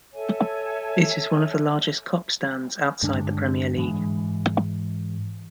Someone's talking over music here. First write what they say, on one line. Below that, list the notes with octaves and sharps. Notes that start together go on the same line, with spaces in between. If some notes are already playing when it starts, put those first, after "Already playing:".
It is one of the largest Kop stands outside the Premier League.
A4 C#5 E5 G#5
G2 D3 G#3 D4
G#2 E3 G#3